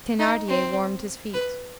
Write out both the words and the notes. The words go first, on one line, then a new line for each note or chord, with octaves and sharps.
Thenardier warmed his feet.
D#4
C4
B4